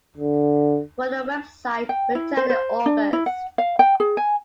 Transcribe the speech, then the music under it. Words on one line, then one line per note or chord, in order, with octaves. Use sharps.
But the website returned in August.
D3
G5
E4
C5
C5
D4
E4
F#5
F5
G5
G#4
G#5